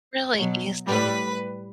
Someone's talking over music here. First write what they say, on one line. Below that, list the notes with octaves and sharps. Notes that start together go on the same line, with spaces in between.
Really easy
B2 F#3
A2 G3 B4